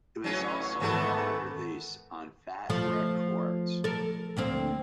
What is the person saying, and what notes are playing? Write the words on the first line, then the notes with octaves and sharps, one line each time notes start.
It was also their only release on Fat Wreck Chords.
A1 F#3 C#4
G#2 D#3 E3 A3 B3 A4
F3 A3
A4 A#4
D2 A#3 C4